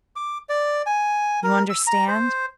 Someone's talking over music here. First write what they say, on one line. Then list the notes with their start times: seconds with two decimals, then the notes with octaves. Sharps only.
You understand?
0.16 D6
0.49 D5
0.86 G#5
1.43 A#4
1.70 E6
1.87 A#5
2.08 C5